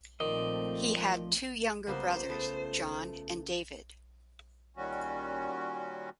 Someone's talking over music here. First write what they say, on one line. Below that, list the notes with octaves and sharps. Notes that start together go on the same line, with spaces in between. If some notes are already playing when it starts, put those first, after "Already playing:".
He had two younger brothers, John and David.
A#2 D#3 F3 A3 C4 D5 D#5
C#2 G3 A#3 B3 F4 A#4 C5
A3 B3 A4
A#2 D#3 G3 C#4 F#4